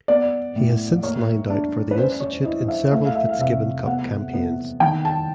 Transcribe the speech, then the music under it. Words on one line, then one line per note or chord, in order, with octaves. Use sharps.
He has since lined out for the institute in several Fitzgibbon Cup campaigns.
B3 D5
A2
A#3 C#5
D4
B4
C#4 C5
C#5
E4 D#5
E5
A3 E5
F5
E5
F5
C3 E5
B3 F#5
B3
D#3 G5
A5